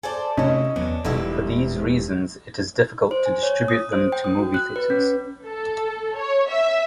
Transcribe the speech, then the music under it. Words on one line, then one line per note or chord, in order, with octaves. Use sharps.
For these reasons, it is difficult to distribute them to movie theaters.
A4 C5 D5 G#5
C3 A3 C#4 E4 F#4 D#5
E2 F#3 B3 D4
E1 B1 G3 E4 G4 B4
C5
G#5
C#5
D#6
C5
G5
D#6
F#4
F#6
B4
C#4
A4
C#5
E5